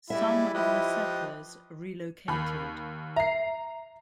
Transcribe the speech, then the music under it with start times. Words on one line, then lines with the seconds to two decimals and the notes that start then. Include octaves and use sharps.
Some of the settlers relocated.
0.10 G3 G#3 E4 E5
0.54 F3 G4 B4 D#5
2.28 D#2 B5
3.16 E5 A#5 C7